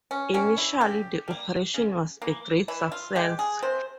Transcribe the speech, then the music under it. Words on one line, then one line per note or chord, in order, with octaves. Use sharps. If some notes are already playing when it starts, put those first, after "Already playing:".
Initially the operation was a great success.
C#4
G3 A#3 C#4
E4
C#3 G4
G3 A#3
C#3
E3 A#3
E3 E4
F4
G#3 G4
G#4
C3 C5